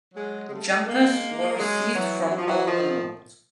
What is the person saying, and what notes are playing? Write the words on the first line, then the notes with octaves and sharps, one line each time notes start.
Jumpers were received from all over the world.
F#3 G#3
G#3
G3 A3
G#3 A#3
A3
F#3 G#3
E3 F#3
F#3
F3
E3 F#3
D#3 F3